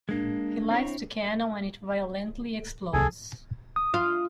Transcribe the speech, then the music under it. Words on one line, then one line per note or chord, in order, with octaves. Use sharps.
He lights the cannon and it violently explodes.
G#3 A#3 D4
C4 E4 C#5
D1 C2 G#4 A4 G#5
D#6
F4